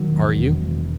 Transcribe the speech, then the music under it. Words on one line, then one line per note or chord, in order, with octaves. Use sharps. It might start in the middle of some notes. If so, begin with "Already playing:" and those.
"Are you?"
Already playing: D#3 F#3
E1
E1
E1